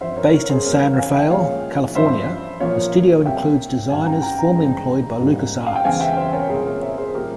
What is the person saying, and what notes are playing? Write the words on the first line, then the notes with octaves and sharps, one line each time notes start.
Based in San Rafael, California, the studio includes designers formerly employed by LucasArts.
G2 F3 C4 C5 E5
A#4 C#5
A#4 C#5
G#4 C5
E2 E3 G3 A#4 C#5
C#5 F5
F5 G#5
E5 G5
A#2 F3 G#3 C#5 F5
G2 F3 C4 C5 E5
A#2 F3 A#3 C#5 F5
C#2 C3 G3 A#3 E5 G5
G#2 G3 C4 F5 G#5
G5 A#5
G5 A#5
G5 A#5
G2 E3 G#3 C4
G#2 G3 A#3
F5
G5
E2 C#3 E3 G#3 C4 F5 G#5
E5 G5
C5 E5
A#4 C#5
C2 A#2 G#3 C4 G#4 C5
A#4 C#5
C5 E5
G#4 C5
A#2 G3 G4 A#4